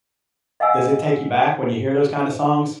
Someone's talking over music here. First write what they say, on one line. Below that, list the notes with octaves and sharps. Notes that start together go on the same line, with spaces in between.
Does it take you back when you hear those kinda songs?
D#5 F5 F#5 G#5 E6